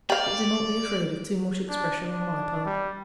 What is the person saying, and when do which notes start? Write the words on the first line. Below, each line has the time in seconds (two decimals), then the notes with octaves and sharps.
But do not be afraid of too much expression on my part.'
0.10 G4 D5 F5
1.68 D4
2.03 D4
2.65 G3